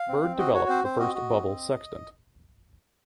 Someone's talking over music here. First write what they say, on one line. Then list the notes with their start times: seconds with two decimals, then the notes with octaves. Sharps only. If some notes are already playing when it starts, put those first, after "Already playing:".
Byrd developed the first bubble sextant.
Already playing: F5
0.08 C4
0.23 C4
0.38 F#4 D#5
0.54 F#4 C#5
0.69 C4 C5
0.84 C4 C5
0.99 F#4 D#5
1.15 F#4
1.30 C4
1.46 C4